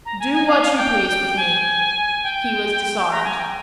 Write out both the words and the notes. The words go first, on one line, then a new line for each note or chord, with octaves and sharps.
"Do what you please with me." He was disarmed.
A#5
G#5
G#5
F5
F5
G5
G#5
G5
A#5
G#5
G5